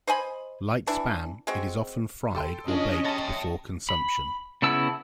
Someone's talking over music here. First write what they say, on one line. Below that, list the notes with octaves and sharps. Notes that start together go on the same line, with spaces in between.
Like Spam, it is often fried or baked before consumption.
C5 D#5 G#5 B5
E3 D4 E4
G#3 C4 F#4
A4 G5 C6
C#3 C#4 D4 F4 D#5
E5 G5 A5 A6 A#6
B5
C#3 B3 E4 A5 E6